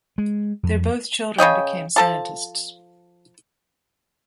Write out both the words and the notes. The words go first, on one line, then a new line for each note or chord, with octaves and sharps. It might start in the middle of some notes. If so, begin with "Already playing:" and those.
Their both children became scientists.
G#3
F2
C#3 C#5 D#5 G5
F3 A4 A5